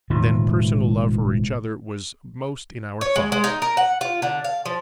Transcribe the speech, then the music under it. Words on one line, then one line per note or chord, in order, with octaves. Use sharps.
Then personal love for each other was most in our thoughts.
E1 A2 D#3 F3
C#5
G#3
G#3
D#4
A#4
F#5
F4
D3
F5
F3